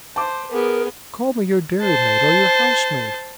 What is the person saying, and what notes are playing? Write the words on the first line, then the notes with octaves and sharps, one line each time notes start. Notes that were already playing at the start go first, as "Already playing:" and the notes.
Call me your dairymaid or your housemaid.
C5 A5 D6
B3 G#4 A#4
C5 A5